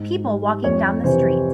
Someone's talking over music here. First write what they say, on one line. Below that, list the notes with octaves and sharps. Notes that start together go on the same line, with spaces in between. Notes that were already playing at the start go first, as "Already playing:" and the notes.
People walking down the street.
Already playing: G#2
G3
F2 C#5
C3 E3 C5